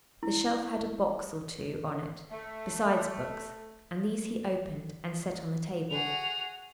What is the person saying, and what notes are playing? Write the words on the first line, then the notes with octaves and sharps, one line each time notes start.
The shelf had a box or two on it, besides books, and these he opened and set on the table.
E4
A3
F#4 G#4 F7